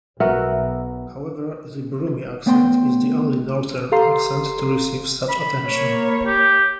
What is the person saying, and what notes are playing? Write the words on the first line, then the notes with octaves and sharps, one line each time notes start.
However, the Brummie accent is the only 'northern' accent to receive such attention.
B1 B3 F#4 A#4 E5
A3 B3 C#5 G5 A#5 C6
G4 A4 F5 A#5 C6 C7
B5
A#3 C#5
G4